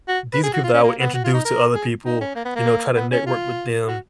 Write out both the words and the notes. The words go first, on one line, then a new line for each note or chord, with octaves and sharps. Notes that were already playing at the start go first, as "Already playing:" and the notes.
these are people that I would introduce to other people, you know, try to network with them.
F#4
B4
G#4
F#4
F4
C#4
A#3
B3
F#4
F4
D#4
A#4
G#4
D#4
C#4
A#3
B3
A#3
B3
C#4
F4
F#4